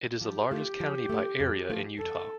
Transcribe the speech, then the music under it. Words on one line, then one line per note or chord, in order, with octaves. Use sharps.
It is the largest county by area in Utah.
F3 G4
A3 F4
F3
A3 F4
F2
F3 A3 F4
F2 A4